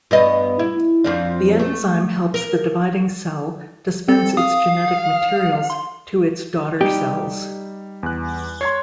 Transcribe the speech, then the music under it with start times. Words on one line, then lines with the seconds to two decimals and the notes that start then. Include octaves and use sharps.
The enzyme helps the dividing cell dispense its genetic materials to its daughter cells.
0.11 G2 B3 D#5
0.59 E4
1.04 F2 F3 D4
1.59 A3
2.34 A#4
4.08 C4 A4
4.37 F5 D#6
5.70 C6
6.81 G3 D#4 G4
8.03 E2 F#6
8.61 C#5 C6 G#6 C7